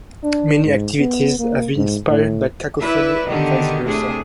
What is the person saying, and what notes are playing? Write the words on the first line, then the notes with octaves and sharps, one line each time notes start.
Many activities have been inspired by Cacophony and vice versa.
D4
G#2
B3
A#3
G#2
A2
E4 B4 D5 E5
D3 D#3 B3 G4 D#5
A2 C3 A3 D4 G4 G#4